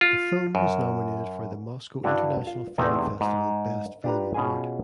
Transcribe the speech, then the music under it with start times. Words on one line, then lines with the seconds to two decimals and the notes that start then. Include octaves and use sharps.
The film was nominated for the Moscow International Film Festival best film award.
0.01 F4
0.55 F#2
2.03 G2 D4 E4 F#4 F5
2.47 F4
2.78 E2 C3 A3 D#4 E4 D5
3.21 G#2
4.04 D4 F4 G4 B4 A#5
4.34 B2 C#4 F4 G#4 G#5